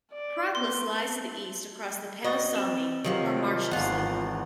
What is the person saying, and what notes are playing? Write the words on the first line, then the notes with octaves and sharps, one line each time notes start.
Proclus lies to the east across the Palus Somni, or Marsh of Sleep.
D5
B3 C6
F#4 D#5 C#6 A6
C4 E7
C3 D#3 F3 F#3 F4 G4
G#1 E2 F4 F#5